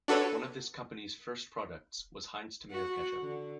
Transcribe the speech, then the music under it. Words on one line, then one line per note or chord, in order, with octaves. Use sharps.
One of this company's first products was Heinz Tomato Ketchup.
D4 F#4 A4 B4 C#5
F#4
D3